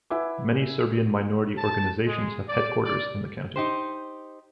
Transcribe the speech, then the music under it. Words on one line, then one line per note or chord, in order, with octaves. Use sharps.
Many Serbian minority organizations have headquarters in the county.
E4 B4 E5 F#5 G#5 D6
A5
G#3
D5
D5
D#4 G4 C5